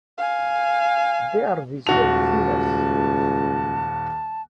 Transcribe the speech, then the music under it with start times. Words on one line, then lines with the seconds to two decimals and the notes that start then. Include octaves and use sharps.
They are visual feeders.
0.18 F5 G#5
1.87 D#1 C#2 F#4 A5 F7